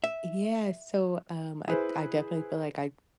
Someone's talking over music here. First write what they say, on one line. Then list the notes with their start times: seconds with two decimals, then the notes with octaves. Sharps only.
yeah, so, um, I d I definitely feel like I
0.04 E5
1.68 E4 G#4 B4 C5